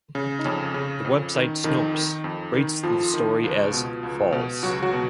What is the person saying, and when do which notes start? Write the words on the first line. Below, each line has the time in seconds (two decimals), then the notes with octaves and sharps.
The website Snopes rates the story as false.
0.15 C#3
0.39 D#4
0.45 F2 C#3 C#4
0.74 C#3
1.05 F2
1.35 D#3
1.64 F2 D#3 D#4
1.95 D#3
2.24 F2
2.53 D#3
2.83 F2 F3 F4
3.14 D#3
3.44 C#2
3.73 B2
4.03 C#2
4.32 B2
4.62 C#2 F#3 F#4
4.82 F#3 F#4
4.93 B2